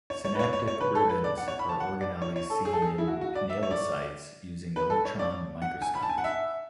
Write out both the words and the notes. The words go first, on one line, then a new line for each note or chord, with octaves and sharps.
Synaptic ribbons are organelles seen in pinealocytes using electron microscopy.
C#5
C#5
B4
C#5
C#5
C#5
B4
A4
B4
D5
F#5
C#5
B5
A5
F#5
D5
C#5
C#5
A4
G#4
A4
G#4
E4
F#4
F#4
D5
E5
C#5
D5
B4
A4
C#5
D5
F#5
G#5
B5
A5
G#5
F#5
E5